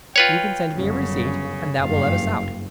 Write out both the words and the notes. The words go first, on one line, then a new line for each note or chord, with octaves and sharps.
You can send me a receipt and that will let us out.
F4 B4 C#5 G5
G1 F#2 C#3
F#1 G2 F5